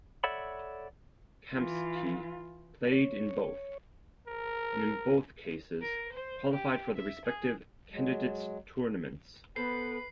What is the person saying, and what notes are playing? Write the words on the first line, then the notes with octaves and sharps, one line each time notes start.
Kamsky played in both, and in both cases qualified for the respective Candidates Tournaments.
A4 C#5 D5 E5 F#5 B5
E3 F4
C#5
A#4
A#4
C5
G4
E5
G#4
F#3 G#3
B3 A4 B4 C5 C7